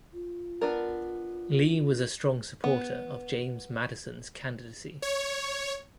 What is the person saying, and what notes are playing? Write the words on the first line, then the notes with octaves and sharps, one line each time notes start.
Lee was a strong supporter of James Madison's candidacy.
F4
B3 D4 A#4
B3
C#5